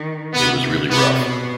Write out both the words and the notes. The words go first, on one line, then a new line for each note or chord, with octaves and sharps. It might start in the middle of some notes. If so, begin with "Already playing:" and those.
It was really rough.
Already playing: D#3
C3 B3
C3 B3
B2